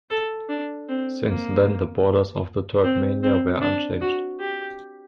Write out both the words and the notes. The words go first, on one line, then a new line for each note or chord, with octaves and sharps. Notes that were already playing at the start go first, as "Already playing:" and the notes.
Since then the borders of the Turkmenia were unchanged.
A4
D4
C4
A#3
C4
C4
D4
F#4
G4